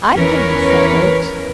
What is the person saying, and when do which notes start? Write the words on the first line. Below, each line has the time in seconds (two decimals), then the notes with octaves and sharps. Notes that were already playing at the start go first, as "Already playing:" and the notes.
"I can," said Oakes.
0.14 E2 E3 C#4 A#4 B4 C#5